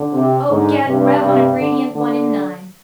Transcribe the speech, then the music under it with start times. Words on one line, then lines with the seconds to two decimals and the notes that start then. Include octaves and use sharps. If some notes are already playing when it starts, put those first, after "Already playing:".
O, get, rev on a gradient one in nine.
Already playing: D3
0.12 C3
0.49 G#2 D3
0.85 G2 C3
1.23 C3
1.59 D3
1.95 D3